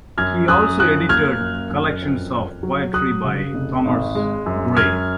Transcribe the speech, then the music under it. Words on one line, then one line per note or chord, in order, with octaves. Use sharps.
He also edited collections of poetry by Thomas Gray.
F#2 F6 G#6
F#2 D#6 F#6
F3 D#6 F#6
A#3 F6 G#6
F#2
F#2
F2
F2
F#3
F#3 D#6 F#6
C#3
F1
G#1
G#3
F#2
F#2 F6 G#6